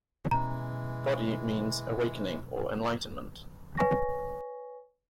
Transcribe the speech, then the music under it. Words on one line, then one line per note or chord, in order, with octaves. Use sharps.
"Bodhi" means "awakening" or "enlightenment".
B2 E3 G#3 C#4 A#5
B4 C#5 G#5 C#6 A#6